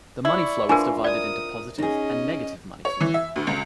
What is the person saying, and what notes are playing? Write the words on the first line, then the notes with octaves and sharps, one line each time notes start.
The money flow is divided into positive and negative money flow.
E4 D5 C#6
E3 F3 G#3 D4 F4 A#4
A#4 D5 D#6
C#4 D#4 G#4 D#5
C#5
E3
E5
D2
C#2